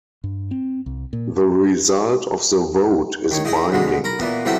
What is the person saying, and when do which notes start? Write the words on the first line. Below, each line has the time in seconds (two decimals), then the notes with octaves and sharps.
The result of the vote is binding.
0.24 G2
0.51 C4
0.86 C2
1.13 A#2
3.31 D#3 C#5
3.45 D#4 E4 G#4 D#5
3.72 D2 B2 G#3
4.04 A#4 A#5 B5
4.19 A#2 E3 B3
4.45 C3 E3 F#3 A3 G4 A4